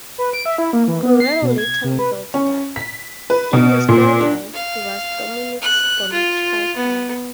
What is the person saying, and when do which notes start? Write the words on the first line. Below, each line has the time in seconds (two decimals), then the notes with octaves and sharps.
Guerrero later revealed that, in the storyline, he was Dominick's biological father.
0.18 B4
0.33 D7
0.46 E5
0.58 E4
0.73 A#3
0.88 E3
1.03 B3
1.20 C7
1.42 B2
1.58 G#6
1.84 C3
1.99 B4
2.34 C#4
2.76 B6
3.30 B4
3.53 B2
3.89 A#2
4.21 D4
4.54 F5
5.62 F#6
6.12 F4
6.76 B3